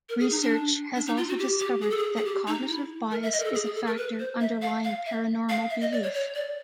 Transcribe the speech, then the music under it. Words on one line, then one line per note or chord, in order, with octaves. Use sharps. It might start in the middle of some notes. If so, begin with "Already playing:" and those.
Research has also discovered that cognitive bias is a factor underlying paranormal belief.
A#4
G#4
D#4
D4
D4
D#4
F4
F#4
G4
G4
G#4
A4
G#4
G#4
G4
D#4
E4
A#4
E5
D#5
A#4
A4
G#4
G#4
A4
A#4
B4
C5
E5
F5
F5
E5
F5
E5
D#5
D5
C#5
C#5
D5